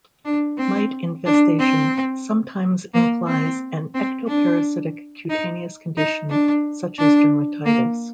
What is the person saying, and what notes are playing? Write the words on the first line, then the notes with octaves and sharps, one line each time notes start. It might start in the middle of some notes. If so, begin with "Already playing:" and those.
Mite infestation sometimes implies an ectoparasitic, cutaneous condition such as dermatitis.
D4
C4
D4
C4
A#3
C4
C4
D4
D#4
D#4
D4
D4
A#3